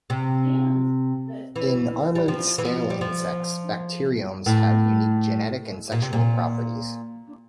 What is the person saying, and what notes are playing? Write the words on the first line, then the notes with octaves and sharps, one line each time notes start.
In armored scale insects, bacteriomes have unique genetic and sexual properties.
C3
E3
G3
F3
E3
F3
G3
F3
A2
A#2
C3
A#2